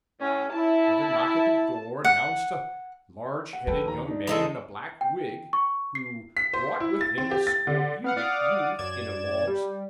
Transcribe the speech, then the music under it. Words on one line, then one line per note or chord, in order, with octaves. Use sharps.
Another knock at the door announced a large-headed young man in a black wig, who brought with him a scorbutic youth in a long stock.
A2 C#4
E4 A5
F#5
F#5
F3 A4 B4 G5
D#2 A#5
D4 D#4
E2 E3 G#3 D#4 A4
G5
C#6
C7
B6
C5
E4
A6
C4
G4
A6
D3
B3 F5 F#5
D5 F5 F#5 D6 D#6
F#2 D5 G#6 E7
G3